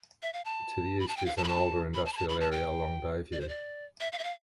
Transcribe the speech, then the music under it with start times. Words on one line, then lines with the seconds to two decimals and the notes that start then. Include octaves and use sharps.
To the east is an older industrial area along Bayview.
0.22 E5
0.33 F5
0.45 A5
1.00 B5
1.08 A5
1.17 G5
1.26 F5
1.37 A5
1.44 B5
1.48 A5
1.94 B5
2.06 A5
2.13 B5
2.17 A5
2.29 B5
2.41 A5
2.52 G5
3.32 D5
3.41 C5
3.49 D5
4.01 E5
4.12 F5
4.19 E5
4.24 F5